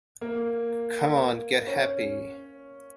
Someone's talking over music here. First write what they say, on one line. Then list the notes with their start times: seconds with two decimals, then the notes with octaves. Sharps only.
Come On Get Happy!
0.21 A#3
1.67 C#4